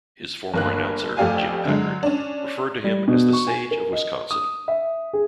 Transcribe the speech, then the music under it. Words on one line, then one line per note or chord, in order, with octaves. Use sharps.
His former announcer, Jim Packard, referred to him as The Sage of Wisconsin.
G1 A#3 F#6
F2 A3 G4 D5 F5 G#5
D3 F#3 G#3
C#4 D4
G3
B2
C#6
G#5
A#4
D#5
D#6
E5
G#4